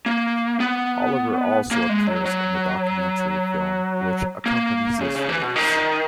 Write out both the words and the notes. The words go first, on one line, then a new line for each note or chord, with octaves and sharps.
Oliver also appears in the documentary film which accompanies this release.
A#3
B3
A#3
G#3
F#3
F#3
A#3
C#3
C#3
E3
B2
D#3